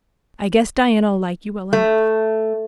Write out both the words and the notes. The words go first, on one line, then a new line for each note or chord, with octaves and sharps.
I guess Diana'll like you well enough.
A3